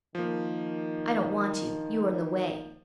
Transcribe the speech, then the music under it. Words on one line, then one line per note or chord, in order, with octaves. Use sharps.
"I don't want you, you are in the way."
D#3 F3 A#3